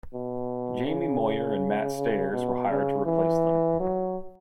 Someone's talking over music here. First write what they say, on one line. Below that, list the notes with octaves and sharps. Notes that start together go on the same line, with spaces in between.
Jamie Moyer and Matt Stairs were hired to replace them.
B2
C#3
B2
C#3
E3
F#3